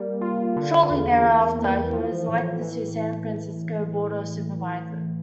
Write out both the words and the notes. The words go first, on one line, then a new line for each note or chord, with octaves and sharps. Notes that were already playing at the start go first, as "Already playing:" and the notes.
Shortly thereafter, he was elected to the San Francisco Board of Supervisors.
Already playing: G3 A#3
F4
D3
E2
A#3
E3
F3
A2
E3